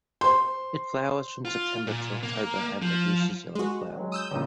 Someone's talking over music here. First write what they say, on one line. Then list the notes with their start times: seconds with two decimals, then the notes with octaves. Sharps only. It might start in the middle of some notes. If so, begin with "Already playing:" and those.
It flowers from September to October and produces yellow flowers.
0.21 C5 C6
1.45 F4
1.87 A#2
2.23 A#3
2.82 F3
3.55 G#3 F#4
3.97 F#3 G#3
4.12 D#6 E6 G6
4.31 C#2 G2 A#2